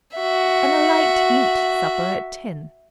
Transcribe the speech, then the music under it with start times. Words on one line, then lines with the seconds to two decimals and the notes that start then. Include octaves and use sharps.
And a light meat supper at ten.
0.16 F#4 E5